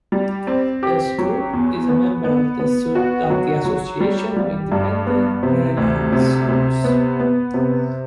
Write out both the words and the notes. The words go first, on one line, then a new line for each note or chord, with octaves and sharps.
The school is a member of the Association of Independent Maryland Schools.
G3
C4
G4
F#3
E2
B3
B3
B3
F#4
F#3
F#3
G3
G3
G2
B3
C3
D2
C3
C3
B3
B3
C3